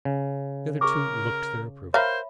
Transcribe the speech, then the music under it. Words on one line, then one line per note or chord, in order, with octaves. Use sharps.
The other two looked their approval.
C#3
G#4 A#4 C#6 D6
A#4 C5 C#5 E5 F5 B5